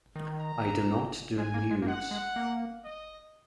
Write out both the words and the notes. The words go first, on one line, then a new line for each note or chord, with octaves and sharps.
I do not do nudes.
D#3
A#5
G#3 G#5
A#3
G#3
A#3
G#3 F#5
G#3
A#3
D#5